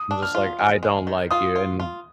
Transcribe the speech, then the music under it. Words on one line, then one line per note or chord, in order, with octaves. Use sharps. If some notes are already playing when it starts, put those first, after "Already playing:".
I'm just like, "I don't like you, and"
Already playing: D#6
D4
F6
F4
G#3
G#3
D#3
F4 D#6
F4
F4